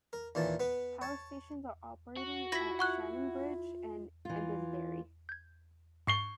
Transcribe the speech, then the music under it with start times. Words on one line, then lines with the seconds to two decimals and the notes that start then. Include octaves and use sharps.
Power stations are operating at Shannonbridge and Edenderry.
0.13 A#4
0.35 D#2 A#2 E3 A5
0.60 B3 B4
1.02 C#5 A5
2.17 F#4
2.52 E4 F4 A#6 B6
2.79 F4 F#5 C#6 F#6
4.25 E3 F4
5.29 G6 G#6
6.07 G#2 C#6 C7 G7